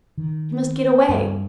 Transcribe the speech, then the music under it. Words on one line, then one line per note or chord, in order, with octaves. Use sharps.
He must get away.
D#3
G2